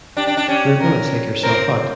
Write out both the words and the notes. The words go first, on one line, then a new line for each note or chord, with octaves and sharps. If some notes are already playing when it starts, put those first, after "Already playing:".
You're gonna take yourself out.
D4 G4
D4
D4
C#4 G4
A#4
C4 A#4